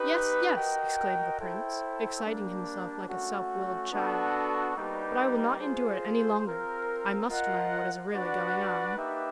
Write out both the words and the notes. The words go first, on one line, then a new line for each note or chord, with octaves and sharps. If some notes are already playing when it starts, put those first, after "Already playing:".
"Yes, yes," exclaimed the prince, exciting himself like a self-willed child; "but I will not endure it any longer, I must learn what is really going on."
Already playing: D#4 G4 B4
F#4 A#4 D#5 G5
E4 A4 C5 E5 G5
G3 A#3 D4
A3 C#4 F#4
B3 D4 F#4 A4
G3 A#3 D#4 G4 B4
F4 G#4 C5
C4 F4 A#4
F4 A#4 D#5 F#5
D4 F#4 B4 D5 F#5
A#3 D#4 G4 B4 E5